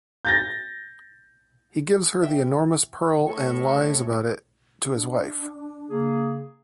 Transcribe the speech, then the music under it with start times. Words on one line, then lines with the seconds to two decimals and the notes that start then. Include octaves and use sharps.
He gives her the enormous pearl and lies about it to his wife.
0.25 G6 A6 A#6
2.22 E3 E5 G5
3.27 A2 A4 C#6
4.88 D4
5.89 C#3 A#3 G#4